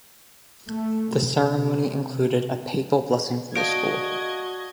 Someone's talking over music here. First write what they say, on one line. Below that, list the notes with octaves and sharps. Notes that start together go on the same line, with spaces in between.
The ceremony included a papal blessing for the school.
A3
C3
F#4 D5 D#5 F5 A5 G#6 D7